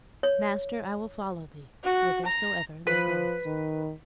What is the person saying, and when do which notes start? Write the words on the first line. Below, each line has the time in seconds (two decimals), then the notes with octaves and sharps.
"Master, I will follow Thee whithersoever Thou goest."
0.23 C#5
1.84 F#4
2.25 A#5
2.87 F3 B4
3.46 D#3